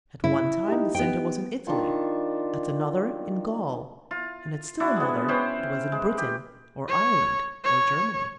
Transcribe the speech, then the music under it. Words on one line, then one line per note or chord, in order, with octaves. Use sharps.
At one time the center was in Italy, at another in Gaul, and, at still another, it was in Britain or Ireland or Germany.
C#3 E4
D#4 G4
B3 G5
D#3 D4 F4 C#6
F4
D4 E4 F#4
G#3 B3
C#4 B4 C5 G5
G#3
G4
C#5
C#5